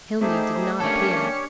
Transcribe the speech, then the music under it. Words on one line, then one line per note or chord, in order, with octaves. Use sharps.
Tilney did not appear.
A3 D#4 G4 G#4 C5
A#3 C#4 D4 G4 A4 C#5 C#7